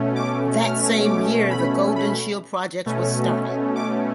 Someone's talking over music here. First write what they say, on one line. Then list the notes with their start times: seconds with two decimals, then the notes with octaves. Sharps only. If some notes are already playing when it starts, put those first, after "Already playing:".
That same year the "Golden Shield Project" was started.
Already playing: B2 A3 C#4
0.16 D6
0.60 F6
1.05 D6
1.50 B5
1.96 B5
2.86 B2 A3 C#4
3.76 D6